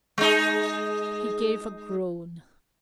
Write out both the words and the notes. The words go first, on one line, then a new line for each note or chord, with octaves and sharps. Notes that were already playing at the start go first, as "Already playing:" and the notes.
He gave a groan.
G#3 D#4